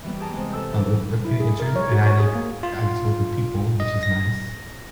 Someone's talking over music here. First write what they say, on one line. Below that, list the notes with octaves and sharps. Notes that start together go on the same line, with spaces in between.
I'm, uh, uh, getting introduced to it and I like I get to work with people, which is nice
E3 G3 B3
G4 G#4 A5 A#5
C3 G#3
A4 E6 G6
E3
E4
G#4
A#4
C#5
F#4
C#5
G#4
A#3
F4
D#5
A#6